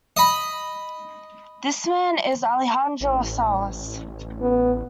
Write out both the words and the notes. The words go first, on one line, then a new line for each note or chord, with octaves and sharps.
This man is "Alejandro Salas".
D#5 B5
A1
B3